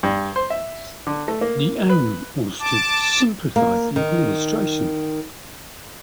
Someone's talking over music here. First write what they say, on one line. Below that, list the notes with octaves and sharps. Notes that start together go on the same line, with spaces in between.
The aim was to simplify the administration.
G2
C5
E5
D3
A3
A#3
B4
A5 D6
A#3
D#3